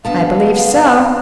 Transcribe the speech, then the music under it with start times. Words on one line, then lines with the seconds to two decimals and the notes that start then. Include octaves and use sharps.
"I believe so."
0.05 D2 B3 F5 A5